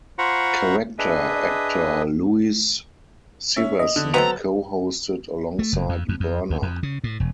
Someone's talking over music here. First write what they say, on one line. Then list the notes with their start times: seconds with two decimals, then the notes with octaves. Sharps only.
Character actor Louise Siversen co-hosted alongside Berner.
0.19 F4 C5 F#5 A#5 B5 C#6
0.99 D4 G#4 B4 D#5 E5
3.56 C#4 E5
3.79 D#5
3.96 D3
4.14 F#3 B3 C4 A4 A#5
5.59 A3
5.73 F#1
5.89 F2
6.09 F2
6.20 F2
6.50 D2
6.62 F2
6.83 C#3
7.04 A2
7.20 E1